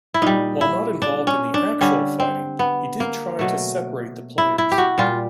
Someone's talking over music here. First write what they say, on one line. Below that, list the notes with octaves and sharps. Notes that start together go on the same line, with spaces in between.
While not involved in the actual fighting, he did try to separate the players.
E4
A#2 G3 D#4
E4
D4
C#4
D4
D3 G3 C#4
C4
B3
A#3
B2 F#3 A3
E4
E4
G4
F#4
A#2 G3 F4